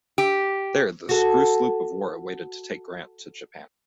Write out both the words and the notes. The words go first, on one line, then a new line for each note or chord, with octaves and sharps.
There, the screw sloop of war awaited to take Grant to Japan.
G4
F#4 A4